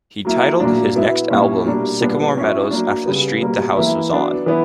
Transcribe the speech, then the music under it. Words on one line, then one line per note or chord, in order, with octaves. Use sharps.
He titled his next album "Sycamore Meadows" after the street the house was on.
F#3 A#3 E4
A#2 F#3 A#3 D4
F#3 B3 E4
A#2 G3 C#4 E4
B2 G3 A#3 D4
A#2 G3 B3 D4
F#3 C#4 E4
F#3 A#3 D4
C#3 G3 B3
B2 G3 A#3
E3 A#3 E4
F#3 B3 D4
E3 B3 E4